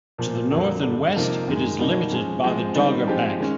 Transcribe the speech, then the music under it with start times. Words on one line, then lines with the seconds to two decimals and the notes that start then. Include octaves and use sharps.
To the north and west it is limited by the Dogger Bank.
0.18 A#2 F3 A#3
0.51 F2 D3 F#3 A#3
0.83 G2 D3 G3
1.15 C3 F3 A#3 D#4
1.47 F#2 D#3 G#3
1.79 B2 G3 A#3 D#4
2.10 F3 G#3 C#4
2.43 F3 G#3 C4
2.75 D#3 G3 C4 D#4
3.07 F3 G#3 C4 D#4 G4
3.40 D#3 G#3 C#4